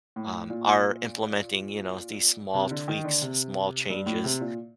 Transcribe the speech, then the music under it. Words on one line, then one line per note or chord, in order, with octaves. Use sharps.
um, are implementing, you know, these small tweaks, small changes,
A2
A#2
C3
D3
D#3
D3
C3
G2
A2
C3
A#2